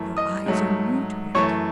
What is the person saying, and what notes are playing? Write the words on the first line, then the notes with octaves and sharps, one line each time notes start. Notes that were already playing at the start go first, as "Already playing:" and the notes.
Your eyes are new to it.
Already playing: F#2 E3 A3
D#5 D#6
G#2 F#3 A3
F#2 E3 A3 C#5 C#6